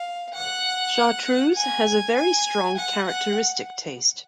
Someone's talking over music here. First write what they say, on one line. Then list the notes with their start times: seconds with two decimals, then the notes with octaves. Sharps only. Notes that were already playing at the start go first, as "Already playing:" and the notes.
Chartreuse has a very strong characteristic taste.
Already playing: F5
0.34 F#5
1.56 G#5
2.17 G#5
2.77 F#5
3.07 F#5